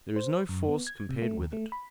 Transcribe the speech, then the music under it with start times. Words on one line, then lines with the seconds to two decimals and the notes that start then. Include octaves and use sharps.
There is no force compared with it.
0.16 C5
0.49 F#2
0.69 B3
0.87 G#6
1.09 C3
1.22 A3
1.37 D#2
1.53 A3
1.72 B5